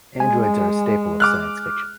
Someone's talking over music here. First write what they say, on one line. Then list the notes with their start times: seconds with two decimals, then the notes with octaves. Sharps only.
Androids are a staple of science fiction.
0.20 G#3 G#5
1.20 D6 F6 F#6